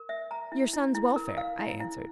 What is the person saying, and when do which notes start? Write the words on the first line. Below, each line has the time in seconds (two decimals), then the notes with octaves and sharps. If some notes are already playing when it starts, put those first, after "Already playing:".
"Your son's welfare," I answered.
Already playing: A#4
0.09 E5
0.31 A#5
0.52 E4
0.73 E4
0.95 E4
1.16 A#4
1.37 F5
1.59 E4
1.80 E4